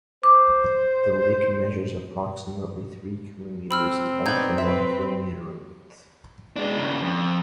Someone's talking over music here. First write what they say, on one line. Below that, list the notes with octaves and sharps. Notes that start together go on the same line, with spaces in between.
The lake measures approximately three kilometres in length and one kilometre in width.
C5 D6
C4 B5 E6 F6
B3 D#4 D5 G6 G#6
B4 E5
G#3 D4
G2 C#3
F2